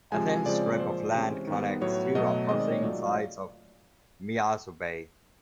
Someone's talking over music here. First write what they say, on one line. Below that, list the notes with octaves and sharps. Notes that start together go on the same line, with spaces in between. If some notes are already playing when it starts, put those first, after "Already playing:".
A thin strip of land connects two opposing sides of Miyazu Bay.
C3 F3 G#3 G#5
G#5
C#3 F3 G#3 C4 D5
A#2 F3 G#3 C5
C3 E3 G#3 C#4
D#3 G3 B3
A2 F#3 B3 C#5
B2 F#3 A3 D#5
D#3 G#3 C4 D#5
D5
C#5
A#2 F#3 A3 D5
F5